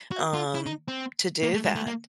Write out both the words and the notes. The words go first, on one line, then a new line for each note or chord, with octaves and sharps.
um, to do that,
F#4
F4
E4
D#4
C4
A#3
A3
G#3
A3
A#3